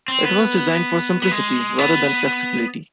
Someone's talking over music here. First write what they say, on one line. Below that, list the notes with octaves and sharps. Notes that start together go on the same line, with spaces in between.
It was designed for simplicity rather than flexibility.
C4
B3
B3
G#3
B3